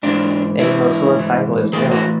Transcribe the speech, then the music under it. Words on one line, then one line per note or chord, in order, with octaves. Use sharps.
and you know suicidal is real.
G#2 E3 D4
G#2 E3 E4
G#2 E3
A2 E3 G#4
F#4